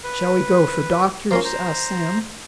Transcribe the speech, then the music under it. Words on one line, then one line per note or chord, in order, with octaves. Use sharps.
"Shall we go for doctors?" asked Sam.
B4
F3 A#3 C#4 F5 A#5 C6
C5 A#5